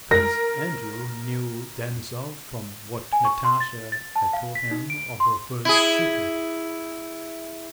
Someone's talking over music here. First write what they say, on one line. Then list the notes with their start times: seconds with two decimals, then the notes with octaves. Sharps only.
Prince Andrew knew Denisov from what Natasha had told him of her first suitor.
0.11 A#4 A#6
3.13 G#5
3.25 C#6
3.45 C6
3.60 A6
3.92 A6
4.16 A5
4.33 F5
4.55 B6
4.71 D#4
4.90 D7
5.20 C6
5.65 E4 G#4